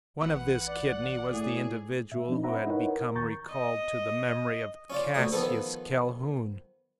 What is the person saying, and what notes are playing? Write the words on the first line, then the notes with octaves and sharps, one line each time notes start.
One of this kidney was the individual who had become recalled to the memory of Cassius Calhoun.
A1 B4 F#5
D5
A2 G#4
A2 E5
F3 C4 D4 D#4
C5 E5 F#5 A#5 B5
D#4 E4 A#4 B4 C#5 F#5
A#4
D#2 A#5 C#6 G6 A6
D#5
C#4 F4 D5
D2 D3 D#6
D#3 F3 B3 A4